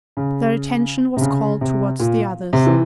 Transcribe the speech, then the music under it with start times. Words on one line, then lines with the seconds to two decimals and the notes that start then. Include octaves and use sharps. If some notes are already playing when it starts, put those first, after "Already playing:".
Their attention was called towards the others.
0.17 C#3
1.17 C3
1.21 C#3
1.61 C3
1.99 A#2
2.53 C3
2.67 E3